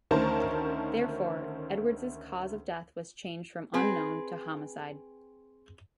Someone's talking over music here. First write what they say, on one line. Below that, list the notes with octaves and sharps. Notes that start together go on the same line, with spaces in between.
Therefore, Edwards' cause of death was changed from unknown to homicide.
D2 D#3 C#4 A#4 C5 A5
C4 G#4 B4